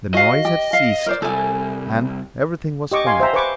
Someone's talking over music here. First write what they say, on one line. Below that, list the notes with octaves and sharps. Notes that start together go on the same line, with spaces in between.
The noise had ceased, and everything was quiet.
F#4 D#5 F5
G4
F5
A#4 C5 D5
C2 A4 G#5
G4 D#5 C#6 D6
F5 G#5 C6
C5 E5 G5 A#5
B4 C5 G#5 C#6 D6